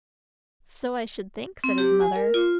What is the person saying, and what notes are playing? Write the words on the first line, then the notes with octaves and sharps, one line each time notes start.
"So I should think," said his mother.
C4
G4
G#5
A#4
F4